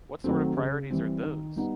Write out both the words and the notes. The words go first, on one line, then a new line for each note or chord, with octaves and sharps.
What sort of priorities are those?
D#3 F#3 A3 C4
C#3
E3 G3 C4
D#3
G3 B3 D#4